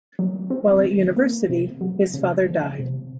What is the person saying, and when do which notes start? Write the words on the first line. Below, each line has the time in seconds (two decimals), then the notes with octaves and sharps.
While at University, his father died.
0.19 F#3
0.50 C4
0.83 D#3
1.16 A#3
1.49 C3
1.81 F#3
2.14 C#3
2.46 F3
2.80 C3